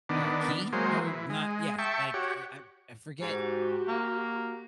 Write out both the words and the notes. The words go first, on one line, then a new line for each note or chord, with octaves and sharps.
uh, Key or not yeah, like, I I forget.
D#3 B3 D4
F#3 G#3 A#3 C5
E3
G#3
E5 G5 A5 C#6
F#4 G4 C#5
G#2 F#4 G4
A#3